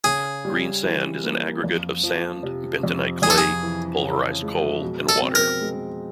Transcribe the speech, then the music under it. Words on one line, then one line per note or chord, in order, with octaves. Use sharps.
Green sand is an aggregate of sand, bentonite clay, pulverized coal and water.
C#3 G#4
G3
E3
A#3
F2
F3
C3
F2
F2 G#4
A4
G#4
E3
C#3
G#3
B2
A4
C4
A#4
G#3